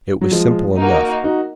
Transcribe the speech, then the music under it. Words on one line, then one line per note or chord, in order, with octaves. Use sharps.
It was simple enough.
F#3
F3 G#3
A#3 D#4 F#4 A#4
D#4 F#4